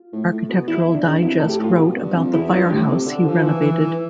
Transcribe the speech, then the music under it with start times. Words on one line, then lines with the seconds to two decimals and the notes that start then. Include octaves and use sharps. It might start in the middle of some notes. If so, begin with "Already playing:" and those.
Architectural Digest wrote about the firehouse he renovated.
Already playing: F4
0.13 A2
0.30 A2
0.49 B2
0.68 E2 E4
0.95 D4
1.04 E2
1.22 F2 E4
1.40 A2 A4
1.49 G4
1.59 A2 F4
1.77 B2 G4
1.96 G2
2.15 F2
2.33 E2 E4
2.51 G2 F4
2.70 A2 G4
2.88 C3
3.06 D3
3.25 F3
3.43 E3
3.61 E3
3.80 E3